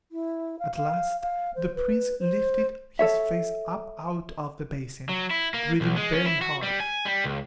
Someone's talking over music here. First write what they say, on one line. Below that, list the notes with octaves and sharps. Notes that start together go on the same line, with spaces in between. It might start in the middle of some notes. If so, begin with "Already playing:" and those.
At last the Prince lifted his face up out of the basin, breathing very hard.
E4
F5
F5
F5
C5
B4
C5
A4 C#5 E5
F#3
E4
A#3
B1
G#3
C#4
E4
F#4
G3
G#5
G3
C#2